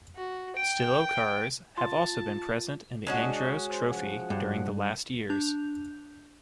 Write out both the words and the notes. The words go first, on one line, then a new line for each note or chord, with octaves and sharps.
Stilo cars have also been present in the Andros Trophy during the last years.
F#4
G5 D7
F4 A5 C6
G#3 C#4 D4 F#4 D#5
C5
F3 F#5
G2
D4 G6 F7